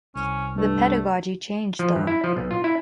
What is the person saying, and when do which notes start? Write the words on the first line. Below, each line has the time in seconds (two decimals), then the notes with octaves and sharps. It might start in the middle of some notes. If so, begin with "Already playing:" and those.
The pedagogy changed though.
0.15 C2 C#4
0.57 G2 A3
1.79 F3
1.95 G2
2.07 E4
2.24 F3
2.37 B1
2.51 F4
2.64 E4